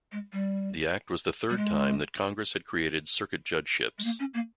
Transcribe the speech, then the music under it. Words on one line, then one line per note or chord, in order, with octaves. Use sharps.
The act was the third time that Congress had created circuit judge-ships.
G#3
G3
G3
G#3
G#3
A#3
C#4
A#3